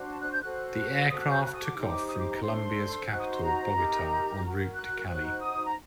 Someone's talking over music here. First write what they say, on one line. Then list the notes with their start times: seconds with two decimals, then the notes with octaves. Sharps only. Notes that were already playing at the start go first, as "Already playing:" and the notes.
The aircraft took off from the Colombian capital Bogotá en route to Cali.
Already playing: D4 F#4 C5
0.09 A5
0.20 F#6
0.31 G6
0.41 F#4 A4 C5 F#6
1.09 F#4 A4 C5 D#6
1.20 F#6
1.31 G6
1.42 F#6
1.53 D#6
1.64 D6
1.75 D#4 G4 C5
2.08 D#6
2.20 D6
2.31 A#5
2.41 D4 A4 C5 C6
3.08 D#4 F#4 C5 F#6
3.20 D#6
3.30 C6
3.41 A#5
3.74 D#4 G4 A#4
4.41 F#4 A#4
4.74 F#6
5.08 D#4 F#4 C5 F#6
5.40 D#6
5.67 A#5